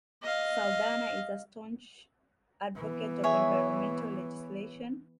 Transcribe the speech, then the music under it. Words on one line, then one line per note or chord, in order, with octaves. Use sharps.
Saldana is a staunch advocate of environmental legislation.
D#5 F5
E3 B3
G#4 C#5 E5